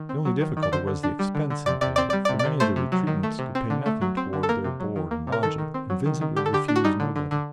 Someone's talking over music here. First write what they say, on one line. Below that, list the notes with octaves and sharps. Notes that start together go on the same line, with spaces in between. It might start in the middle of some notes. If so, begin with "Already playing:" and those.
The only difficulty was the expense entailed, for many of the retreatants could pay nothing toward their board and lodging, and Vincent would refuse nobody.
Already playing: D#3
C4
F#3
D#3
D#3
D5
D3 C5
D3
D4
G3
D3
D3
C3 D5
C3 D5
C4 D5
D5
G3
D5
C3
D5
C3
A3 C5
C3
F#3
D#3
A3
C3
C4
D3
A3
F#3
C4
D3
A4
A#3 A#4
C3
F#3
D#3
A#3
C3
A#4
D#3 A4
D#3
C4
F#3
D#3
D#3
D3 G4
A4
D3 G4
D4
F#4
G3 D#4
D3
D3
D3